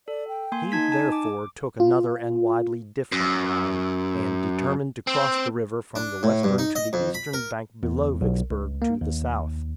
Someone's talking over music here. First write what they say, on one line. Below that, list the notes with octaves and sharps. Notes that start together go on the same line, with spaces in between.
He, therefore, took another and widely different line, and determined to cross the river from the western to the eastern bank below Vicksburg, to the south.
A4 D5
G5
A#3 G#5 C6
D#4 A5 G#6 B6
G#5 A5
D6
F4
F#2
C4
D4
A2
G2
D#4
D#5
F2
B5
A#4
E2
B1
C#2
A#3
D#2